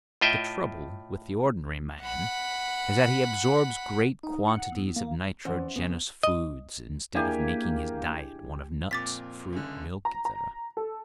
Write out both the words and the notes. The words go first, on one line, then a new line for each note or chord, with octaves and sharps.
The trouble with the ordinary man is that he absorbs great quantities of nitrogenous foods instead of making his diet one of nuts, fruit, milk, etc.
A2 F4 D#5 E5 G5
F#5 B5
D#4
F#5
E2
A#3
E2 C#4 C5 F#5
C#3 B3
D#5
A#3 D4 E4 G4 G#4 G#5
F2 A#2 D6 A6 B6
C#2 F#2 D3
A#5
A#5
A4